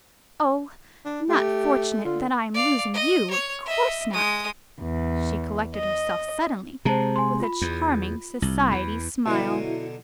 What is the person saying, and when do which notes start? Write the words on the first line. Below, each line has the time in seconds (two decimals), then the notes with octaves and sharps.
"Oh, not fortunate that I am losing you, of course not," she corrected herself suddenly, with a charming society smile.
1.05 D4
1.29 A3 G4
2.05 D3 F4
2.54 D5 F5
2.94 D#5
3.31 C#5
3.66 D#5 E5
4.12 G#3 D#6
4.82 E2
5.76 D#5
6.85 C3 G#3 C5 A5 A#5
7.16 G#5 C6
7.40 F4 B5
7.62 E2
8.42 C2
8.72 E2 B5
9.26 B2 D3 F#3 E4 F#4